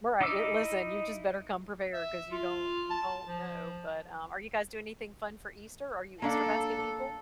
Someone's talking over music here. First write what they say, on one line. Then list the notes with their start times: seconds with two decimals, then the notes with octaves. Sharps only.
Well, right, i listen, you just better come prepared 'cause you don't you don't know, but, um, are you guys doing anything fun for Easter? Are you Easter basket people?
0.21 D#4 E4 D#5 D6 E6
1.93 E5
2.32 F4
2.90 A5
3.27 F3
6.22 A#3 D4 A4 F5